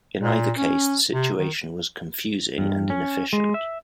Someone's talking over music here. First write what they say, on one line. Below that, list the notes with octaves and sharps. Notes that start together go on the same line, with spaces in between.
In either case the situation was confusing and inefficient.
A#2
C#4
C3
D#3
G2
C#4
G#3
E5